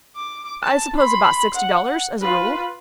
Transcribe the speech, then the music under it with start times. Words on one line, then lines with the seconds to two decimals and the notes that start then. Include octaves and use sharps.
"I suppose about sixty dollars, as a rule."
0.16 D6
0.62 A5
0.96 B5 C6
1.55 F#5
2.21 F4 B4